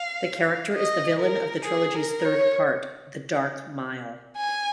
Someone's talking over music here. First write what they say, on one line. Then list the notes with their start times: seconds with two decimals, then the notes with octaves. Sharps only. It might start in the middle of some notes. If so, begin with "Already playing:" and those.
The character is the villain of the trilogy's third part, "The Dark Mile".
Already playing: F5
0.75 D#5
1.20 A#4
1.65 G#4
1.95 A#4
2.25 C#5
4.37 G#5